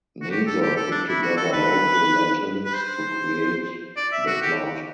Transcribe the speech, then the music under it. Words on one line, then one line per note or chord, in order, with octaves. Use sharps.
Nazor put together local legends to create the plot.
F#4
G4
A4
G4
A4
D4
E4
F#4
A4
B4
B4
C5
D5
E5
F#4
G4